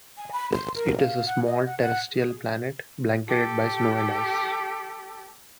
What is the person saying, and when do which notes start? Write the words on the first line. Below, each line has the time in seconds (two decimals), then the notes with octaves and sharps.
It is a small, terrestrial planet blanketed by snow and ice.
0.17 G#5
0.33 B5
0.53 C6
0.75 A#4
0.98 F5
1.26 F#5
1.46 D#5
1.66 F#5
1.80 F#5
2.11 G#4
3.28 G4 A4